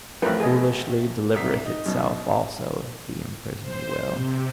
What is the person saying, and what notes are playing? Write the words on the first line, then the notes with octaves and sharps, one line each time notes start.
Foolishly delivereth itself also the imprisoned Will.
A1 F2 A3 A#4 B4
G#4 D#5
C2 C3 B6
D#4
F#2 B2
C5
C3